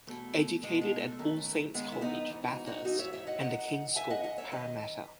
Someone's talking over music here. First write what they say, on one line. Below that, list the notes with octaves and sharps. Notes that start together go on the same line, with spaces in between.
Educated at All Saints College, Bathurst, and The King's School, Parramatta.
E2 B2 A3
E2 B2 G#3
G#3
A3
F#2 D#3 A3
F#2 D#3 G#3 B3
E4
B3 D#4
G#2 E3
D#4 F#4
D#4 F#4
G#2 E3 D#4 F#4
C#5 E5
C#5 E5
D#5 F#5
F#2 E3 D#5 F#5
F#2 E3 E5 G#5
D#5 F#5
D#5 F#5
C#5 E5
F#2 D#3 B4 D#5